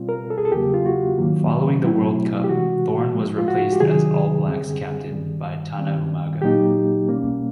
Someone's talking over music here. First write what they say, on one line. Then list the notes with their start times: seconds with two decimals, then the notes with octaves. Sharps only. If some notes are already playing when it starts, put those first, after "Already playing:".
Following the World Cup, Thorne was replaced as All Blacks captain by Tana Umaga.
Already playing: B2 G3 C4 F4
0.09 A#4
0.30 A4
0.38 G#4
0.45 A4
0.52 E2 C#3 F#3 A#3 G4
0.74 F4
0.86 F#4
1.18 G#2 D#3 F#3 A#3
1.84 B2 F#3 A3 C4 E4
2.44 G4
2.49 C3 E3 G#3 F#4
3.14 A2 F3 G#3
3.38 F4
3.48 F#4
3.73 G4
3.80 C3 D#3 F#3 G#4
4.45 F#2 D3 G3 C4
5.12 G2 D#3 G3
5.77 G2 D#3 G3 C4
6.42 A#2 F#3 A#3 D#4 G4
7.08 B2 G3 A#3 C#4